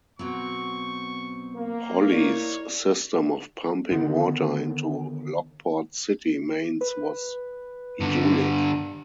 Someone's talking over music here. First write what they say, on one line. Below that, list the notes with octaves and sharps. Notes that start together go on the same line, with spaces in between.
Holly's system of pumping water into Lockport's city mains was unique.
B2 F#3 C4 C#6
A#3
D#4 E4 C#5 D5
D3 D#3 B3
B4
G2 D3